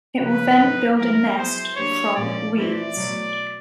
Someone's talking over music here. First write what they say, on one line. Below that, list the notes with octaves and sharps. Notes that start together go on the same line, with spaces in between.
It will then build a nest from reeds.
C#3 F3 A#3 B4
A2 F#3 A3 C4 D#4
F3 G#3 B3 E4 A#4
F#3 B3 E4 G#4 C5
F#3 A#3 D4 G4 C#5
A#2 F3 A#3 C#4 D5
E3 A3 C4 E4 D5
B2 F#3 A3